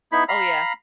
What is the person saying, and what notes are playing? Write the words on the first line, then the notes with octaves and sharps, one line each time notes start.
Oh, yeah.
B3 D#4 E4 B5
F5 A#5 B5